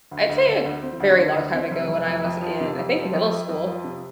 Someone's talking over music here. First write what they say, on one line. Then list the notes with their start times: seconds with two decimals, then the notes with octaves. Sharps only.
I'd say a very long time ago when I was in, I think, middle school,
0.11 D2
0.29 D2
0.47 D3
0.65 D2
0.82 C4
1.00 D2
1.18 D3
1.36 D2
1.53 C4
1.71 F1
1.89 F1
2.06 F2
2.25 F2
2.42 F3
2.60 C3
2.78 F2
2.95 F3
3.14 F2
3.31 F2
3.49 F2
3.67 F3
3.84 C3